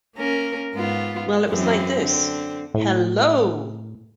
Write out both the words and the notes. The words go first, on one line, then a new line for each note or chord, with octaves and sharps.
Well, it was like this — hello!
A#3 C#4 A#4
G#2 B3 F4
F#2 E3 C4
D3 C4
A2